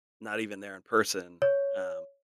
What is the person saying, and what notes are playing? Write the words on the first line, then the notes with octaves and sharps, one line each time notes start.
not even there in person, um,
C#5